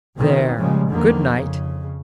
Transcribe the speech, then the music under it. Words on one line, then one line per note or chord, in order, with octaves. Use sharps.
There, good-night.
B2 D#3 C4
A#2 C#3 F3 G3 G#3
E2 D3 D#3 F3 A#3
F2 C#3